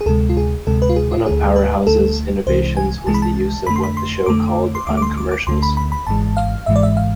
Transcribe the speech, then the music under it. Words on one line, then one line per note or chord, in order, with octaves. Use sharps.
One of "Powerhouse's" innovations was the use of what the show called Uncommercials.
G#4
D2 C3 G#3 A4
F4
G#4
D2 C3 G#3 A4
B4
F4
G#4
F4
D2 D3 A3 G#4
B4
D2 D3 A3 A4
C2 C3 E3 G#3 C5
G#5
C2 C3 E3 G#3 A5
B5
A5
F2 D3 A3 B5
C6
B5
C6
F2 D3 A3 D6
C6
D2 D3 A3 D6
D6
C6
D6
D6
D2 D3 A3 C6
B5
B5
B5
G#1 G#2 E3 G#3 A5
F5
G#1 G#2 E3 G#3 E5
D5
E5
F5